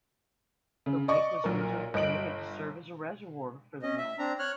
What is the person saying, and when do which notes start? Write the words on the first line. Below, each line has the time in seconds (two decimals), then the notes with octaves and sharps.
The lake was originally created to serve as a reservoir for a mill.
0.86 C#3
1.08 D5 D#5 C#6
1.44 B1 A#2 A#4
1.94 G1 D#5 D7 F#7
3.82 C#4 D#5
3.98 E5
4.19 C4 D4 A#5
4.39 C#5 F6 F#6